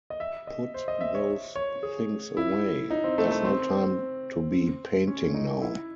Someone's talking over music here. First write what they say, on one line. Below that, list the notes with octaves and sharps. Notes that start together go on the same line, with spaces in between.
Put those things away, there’s no time to be painting now.
D#5
E5
D#5
C5
D#5
E5
C#5
C#5
G#4
E4
D#4
C4
A3
A3
C4
C#4
D#4
E4